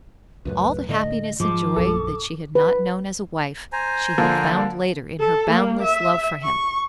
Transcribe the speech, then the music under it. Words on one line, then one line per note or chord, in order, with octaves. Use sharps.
All the happiness and joy that she had not known as a wife, she had found later in her boundless love for him.
C#2 F#2 A2 B4
A2 D3 A3 D#5
G#2 F3 D6
A#1 F#2 A4
B4
C5 G#5 A#5
D3 F3 A#3
A4
A#3
E5
C#6